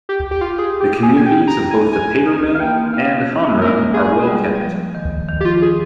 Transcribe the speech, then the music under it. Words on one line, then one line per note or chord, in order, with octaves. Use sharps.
The communities of both the papermill and Hamra are well kept.
G4
G4
F4
G4 G#4
G4
G#4
G#5
G4 G5
A#5
G#5
G#5
F5
A#3 G5
C4
F5
C4
A#3
G#3
A#4
G#3
A#3
G#3 G#4
G3
G3
F3
D#3
D#3
F3 F4 G4
D#3
G#4